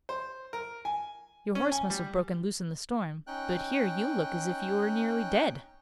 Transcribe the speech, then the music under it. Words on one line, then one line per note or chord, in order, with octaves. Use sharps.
Your horse must have broken loose in the storm. But here, you look as if you were nearly dead!
C5
A#4
G#5
C#4
G#5
G3
C#4 D#4 G5 F#6